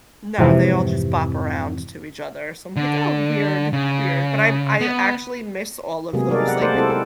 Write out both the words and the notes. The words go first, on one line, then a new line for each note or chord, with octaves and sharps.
No, they all just bop around to each other, so I'm like, "Oh, weird, weird," but I'm I actually miss all of those, like,
F2 G#2 C3 E3
D3
C#3
B3
C3 F#3 G#3 A#3 B3 G#4
G3 D#4 A4 A#4 D5
D5 F#5
A3 A#3 G#4 A#4 C5 D5
G#3 C4 E4 A4
D#4 A4 A#4